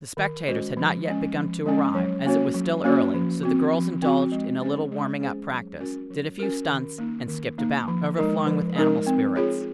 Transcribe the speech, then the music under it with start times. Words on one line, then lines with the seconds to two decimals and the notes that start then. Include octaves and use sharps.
The spectators had not yet begun to arrive, as it was still early, so the girls indulged in a little warming-up practice, did a few stunts and skipped about, overflowing with animal spirits.
0.17 D#3
0.48 G#3 C#4 F#4 C5
0.77 F3
1.07 G#3 C#4
1.35 F3
1.66 G#3 C#4
1.95 F#3
2.25 A#3 C#4 F#4 C#5
2.55 F#3
2.84 A#3 C#4 F#4 C#5
3.14 F3
3.43 C4 F#4
3.73 F3
4.02 C4 F#4
4.32 G#3
4.62 C#4 G#4 C5
4.92 G#3
5.21 C#4 G#4 C5
5.51 F#3
5.80 C#4 F#4 A#4
6.10 F#3
6.39 C#4 F#4 A#4
6.69 D#3
6.99 A#3 D#4
7.28 D#3
7.58 A#3 D#4
7.88 F3
8.17 G#3 D#4 A#4
8.47 F3
8.76 G#3 D#4 A#4
9.07 C4
9.35 F4 G#4 C#5